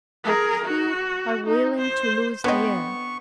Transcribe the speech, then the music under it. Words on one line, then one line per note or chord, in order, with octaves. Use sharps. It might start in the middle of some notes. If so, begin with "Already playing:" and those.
But few are willing to lose the earth.
G#4 A#4
F#4
D#4
C5
D3 B3 C4 B4 C#5 D#5 C#6